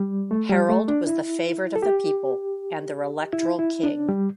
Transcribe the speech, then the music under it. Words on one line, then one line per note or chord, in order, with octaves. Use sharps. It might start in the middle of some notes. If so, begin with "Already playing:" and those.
Harold was the favourite of the people, and their electoral king.
Already playing: G3
A3
G3
A3
D4
E4
A4
G4
E4
E4
D4
G3